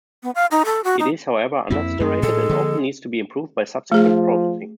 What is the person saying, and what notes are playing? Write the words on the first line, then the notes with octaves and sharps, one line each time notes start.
It is, however, under-saturated, and often needs to be improved by subsequent processing.
B3
F5
D#4
A4
F#4
D#4
F2 A#3 C4 E4
F#2 G#3 A3 C4
A2 A4
D3 F3 A#3
F3 A3 G#4